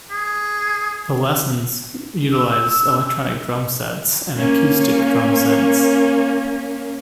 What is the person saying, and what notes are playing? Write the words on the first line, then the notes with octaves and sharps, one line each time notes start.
The lessons utilize electronic drumsets and acoustic drumsets.
G#4
E6
A#3 C#4